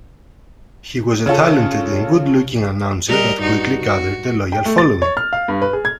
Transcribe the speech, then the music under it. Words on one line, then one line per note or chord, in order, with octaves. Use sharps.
He was a talented and good-looking announcer that quickly gathered a loyal following.
C#3 C#4 F4 A4
G3 A#4 D#5
G2 D#4 F#4
F#4
G5
A3
A6
C#5
F6
F5
G2
B4
G#4
G#6